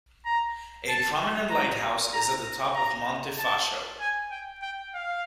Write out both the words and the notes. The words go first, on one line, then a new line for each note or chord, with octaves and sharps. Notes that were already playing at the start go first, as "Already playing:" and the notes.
A prominent lighthouse is at the top of Monte Facho.
A#5
A5
A#5
A#5
A#5
A5
G#5
G5
G5
F5